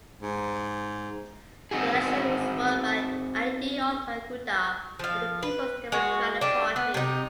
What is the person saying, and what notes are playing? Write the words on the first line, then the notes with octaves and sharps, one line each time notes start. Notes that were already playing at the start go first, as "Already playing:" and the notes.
The election was won by Idi Othman Guda of the Peoples Democratic Party.
G#2
C4 D#4 F#4 G#4
F3 F5
B4
G#3 F#4
G3 D4
B3
C3 D#4